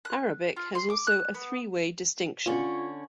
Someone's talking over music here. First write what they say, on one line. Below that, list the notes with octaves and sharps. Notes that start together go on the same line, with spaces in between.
Arabic has also a three-way distinction.
F#6
F4
C6
D6
F#6
B3
D3 C#4 F4 C#5